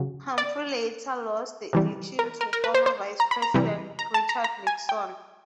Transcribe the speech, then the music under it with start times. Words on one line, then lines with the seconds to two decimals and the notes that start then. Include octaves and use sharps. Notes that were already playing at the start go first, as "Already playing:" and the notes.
Humphrey later lost the election to former vice president Richard Nixon.
Already playing: C#3 F#3
0.38 D5
1.73 C3 E3 G3
2.19 A#4
2.41 A#4
2.53 A#4
2.64 B4
2.74 C5
2.86 C5
3.20 A#5
3.31 B5
3.42 A#5
3.54 C3 E3 G3
3.99 A#5
4.14 A5
4.29 A#5
4.44 A#5
4.67 G#5
4.89 G5